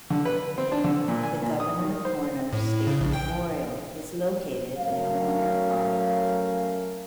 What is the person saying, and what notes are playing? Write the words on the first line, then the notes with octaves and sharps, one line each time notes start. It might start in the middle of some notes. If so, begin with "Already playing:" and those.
The Governor Horner State Memorial is located in Horner Park.
D3
B4
C4
D4
D3
A#2
G#5
A#2
D#6
D#3
C5
A2
C#3
A#1
G5
F#3 A3 C#4 A#4 F5